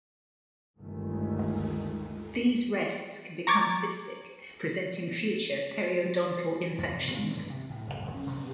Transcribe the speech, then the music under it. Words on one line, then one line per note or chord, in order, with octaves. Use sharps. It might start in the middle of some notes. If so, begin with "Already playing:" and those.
These rests can become cystic, presenting future periodontal infections.
G1 D2 D#3 G#3 A3
A#5 C#6 D6 G#6 A6
F2
C3
A#2
G#3
G2
C3
A2
F#1
F1
C#4
C3
B2